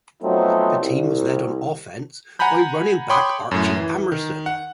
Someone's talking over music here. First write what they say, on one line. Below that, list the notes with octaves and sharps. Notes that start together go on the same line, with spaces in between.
The team was led on offense by running back Archie Amerson.
F3 F#3 A3 B3 C4 D#4
C2
F#5 G#5 A#5 B5 G6
C#5 G5 B5 C6 D6 D#6
F#2 A2
E3
D#3
F#5